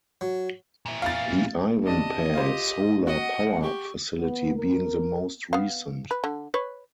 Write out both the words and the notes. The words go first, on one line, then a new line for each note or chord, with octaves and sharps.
The Ivanpah Solar Power Facility being the most recent.
F#3
A#2 E4
F5 A6
C3 D4 D#5 A5
F4 G4 C5
F#4 D#5 F#5
G4 C#6
B3
A#4
B3 F5
B4
D3
B4 C#5